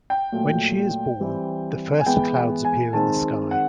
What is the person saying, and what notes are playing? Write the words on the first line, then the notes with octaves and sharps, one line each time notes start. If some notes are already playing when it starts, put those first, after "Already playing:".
When she is born, the first clouds appear in the sky.
G5
A#2 F#3 A3
E3 G3 C4
G#5
E3 G#3 B3 G5
G#5
D#3 G#3 C4 A5
F#5